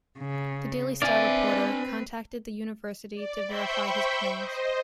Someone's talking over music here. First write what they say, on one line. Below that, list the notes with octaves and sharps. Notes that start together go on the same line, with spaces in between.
The Daily Star reporter contacted the university to verify his claims.
C#3
C4 D4 E4 B4 D5 F5 G#5
D5
C5 E5 G5 B5 C#6 G6
C5 D#5